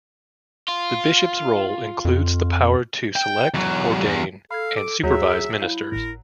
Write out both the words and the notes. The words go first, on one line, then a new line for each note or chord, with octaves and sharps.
The bishop's role includes the power to select, ordain, and supervise ministers.
F4
F2
G5
E2 F#3
E2
A4 F5 B5 G#6
D6
D#2 F#3 G#4 E5 G6
E4 F5 G6 C7
G#1 A2 A#4